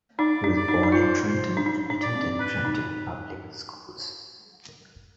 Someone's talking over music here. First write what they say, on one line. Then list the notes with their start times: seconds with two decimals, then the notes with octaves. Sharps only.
He was born in Trenton and attended Trenton public schools.
0.19 D#4 D5
0.44 D4
0.56 D5
0.68 D#4
0.83 D#4
0.92 F4 C5
1.29 C5
1.57 D4
1.66 D#4
1.90 D4
2.02 D5
2.15 C4
2.39 D4 B4
2.65 D#4